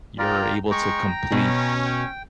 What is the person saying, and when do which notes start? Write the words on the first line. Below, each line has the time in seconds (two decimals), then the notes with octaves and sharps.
you're able to complete,
0.18 F4 A#4 D5 G5 A#5
0.71 G#3 G5 A#5 C#6
1.32 B2 C#4
1.86 G5